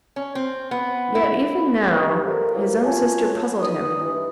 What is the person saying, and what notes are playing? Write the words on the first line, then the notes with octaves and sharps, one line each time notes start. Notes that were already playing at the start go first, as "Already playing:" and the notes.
Yet even now, his own sister puzzled him.
C#4
C4
B3
E4
G2
C3 G3 A3 F4 A#4
C3 E3 F#3 A#3
F#2 F4 C#5 G#5 A5
G2 G3 D#4 D#6
G2 E3